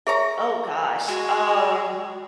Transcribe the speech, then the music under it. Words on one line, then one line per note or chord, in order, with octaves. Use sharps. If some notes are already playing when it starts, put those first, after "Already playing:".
Oh gosh. Um.
G#4 A#4 C#5 E5 A#5
G#3 F#4